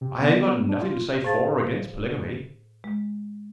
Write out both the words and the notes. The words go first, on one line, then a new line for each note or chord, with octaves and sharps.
I ain't got nothin' to say for or against polygamy.
C3
B3
D4
F4
A2 G#4 C5 F5 A5 A6
G#3